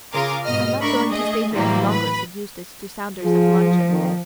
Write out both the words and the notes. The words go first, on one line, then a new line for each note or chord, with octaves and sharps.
"I'm not going to stay here any longer," said Eustace to Saunders at luncheon.
C#3 F4 G#4 A#4 D6
G#2 B2 D#5 F6
A3 D4 A#4 B5 C#6
A3 G#4 D#5
A2 C3 E3 F#3 G3 A#3
B4 B5
F3 F4 G#4
F2 A#2 D#3